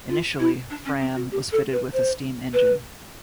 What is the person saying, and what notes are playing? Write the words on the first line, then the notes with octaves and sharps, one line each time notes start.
Initially, "Fram" was fitted with a steam engine.
F4
E4
D4
C#4
C4
F#4
G4
A4
B4
C5
B4